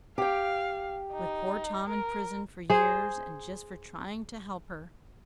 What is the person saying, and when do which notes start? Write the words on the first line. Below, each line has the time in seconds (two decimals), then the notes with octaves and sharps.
"With poor Tom in prison for years--and just for trying to help her."
0.18 G4 F5 G5
1.12 D#4
1.87 A#4
2.70 G#4 C5